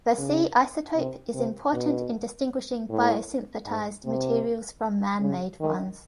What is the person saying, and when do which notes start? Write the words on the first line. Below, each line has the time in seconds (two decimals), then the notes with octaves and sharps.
The C isotope is important in distinguishing biosynthetized materials from man-made ones.
0.18 C#3
0.96 C3
1.34 C3
1.73 B2
2.90 A2
3.66 G#2
4.05 C3
5.21 C#3
5.61 D#3